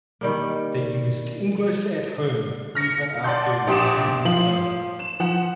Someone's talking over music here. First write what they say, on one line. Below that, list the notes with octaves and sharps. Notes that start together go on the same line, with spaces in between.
They used English at home even after returning home.
D#3 G3 A#3
F6 A#6 C#7
D5 F#5 A5 C6 G6
A#1 G4 C6 D6 D#6 E7
F3 F5 C6 F#7
E7
F3 F#5 E7